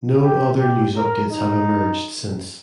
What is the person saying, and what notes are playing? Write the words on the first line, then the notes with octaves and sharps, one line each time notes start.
No other news updates have emerged since.
G4
G4
A#4
D#4